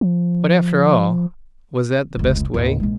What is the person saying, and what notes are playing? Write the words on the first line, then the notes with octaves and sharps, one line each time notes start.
But, after all, was that the best way?
F3
F1 C#2
D#2 A2
A#1 G#3